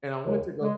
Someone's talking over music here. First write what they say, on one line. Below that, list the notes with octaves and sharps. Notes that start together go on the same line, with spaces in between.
and I went to go
D#2 C#3 G#3
C#3 G#3